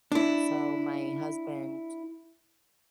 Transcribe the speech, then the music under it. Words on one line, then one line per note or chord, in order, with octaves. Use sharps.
so, my husband,
D4 E4